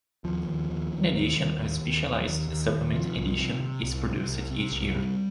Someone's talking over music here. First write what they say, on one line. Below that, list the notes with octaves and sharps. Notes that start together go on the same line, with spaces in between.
In addition, a specialised "supplement" edition is produced each year.
D#2 F3
D#2
D#2
D#2
D#2
D#2
D#2
D#2
D#2
D#2
D#2
D#2
C3 F3
C2
C3
C3
C2
C3
C2
C3
C2
C3 G3